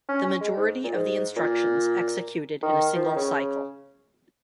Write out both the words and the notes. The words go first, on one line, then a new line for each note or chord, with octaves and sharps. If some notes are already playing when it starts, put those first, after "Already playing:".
The majority of the instructions executed in a single cycle.
C#4
C#4
G#3
G#2
A#2
G#2
A#2
D#3
F3
D#3
C#3